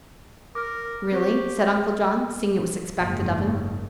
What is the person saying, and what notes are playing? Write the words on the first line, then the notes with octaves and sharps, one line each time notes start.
"Really?" said Uncle John, seeing it was expected of him.
A#4 D6 F6
C4 G4 C5 C#6
F#1 G#2